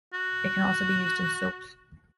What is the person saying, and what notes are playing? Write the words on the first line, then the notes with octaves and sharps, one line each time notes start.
It can also be used in soaps.
F#4